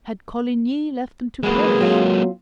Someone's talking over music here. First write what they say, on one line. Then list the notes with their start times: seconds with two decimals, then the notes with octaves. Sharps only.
Had Coligny left them to perish?
1.43 E3 F#3 G#3 A#3 B3 G#4
1.81 F#3 C4 F4